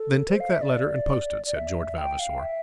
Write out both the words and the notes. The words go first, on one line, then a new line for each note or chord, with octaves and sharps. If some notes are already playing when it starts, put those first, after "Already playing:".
"Then take that letter and post it," said George Vavasor.
Already playing: A4
C5
F5
E5
D5
D5
E5
G5
F5
E5